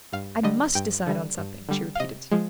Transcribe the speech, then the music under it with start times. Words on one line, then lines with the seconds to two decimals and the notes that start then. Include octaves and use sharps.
"I MUST decide on something," she repeated.
0.13 G2 F5
0.43 D3 G3 D#5
0.75 G2 G5
1.07 D3 G3
1.38 G2
1.69 D3 G3
1.95 F5
2.00 C3 D#5
2.31 F3 G#3